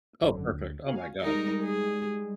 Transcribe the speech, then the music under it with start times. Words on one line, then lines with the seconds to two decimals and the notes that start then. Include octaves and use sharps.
Oh, perfect. Oh my god.
0.21 G#1 F#2 D3
0.51 D2
0.85 F#4 F5 G#5
1.21 G3 G#3 D#4 A#4
1.63 G#4